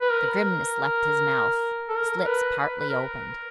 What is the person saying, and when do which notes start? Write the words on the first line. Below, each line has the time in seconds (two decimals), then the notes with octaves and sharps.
The grimness left his mouth, his lips partly opened.
0.01 B4
0.11 A#4
1.89 A4
1.97 A#4
2.28 B4
2.59 B4
2.80 B4
2.90 A#4